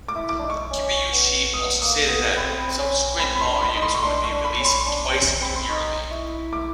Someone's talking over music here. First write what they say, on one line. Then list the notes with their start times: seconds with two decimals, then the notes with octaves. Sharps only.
Kibuishi also stated that subsequent volumes would be released twice-yearly.
0.08 D6
0.15 E4
0.29 D6
0.39 D4
0.42 D#4
0.50 C#6
0.70 C#4
1.12 B3
1.54 B3 D#6
1.82 A#3 D#6
2.09 B3 D#6
2.37 C4 B5
2.68 C4
2.78 C#4
3.20 C4 B5
3.36 B5
3.41 C6
3.48 D4
3.62 B5
3.75 D#4
3.82 C6
3.94 C#6
4.03 D4 C6
4.24 C#6
4.31 D4
4.44 B5
4.58 C#4
4.65 C6
4.86 D4
5.09 C4
5.14 C#4
5.41 C4 B5
5.56 C6
5.69 D#4 C#6
6.11 E4
6.53 D6